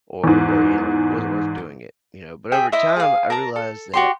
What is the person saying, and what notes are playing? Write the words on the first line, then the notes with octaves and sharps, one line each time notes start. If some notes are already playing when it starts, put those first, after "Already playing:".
or or, you know, it wasn't worth doing it, you know? But over time, I realized that,
E2 G#2
G#4 E5 G5
E4 C5 D#5 E5
G#4 F5
A#4 A5 A#5
A4
F#4 G4 C6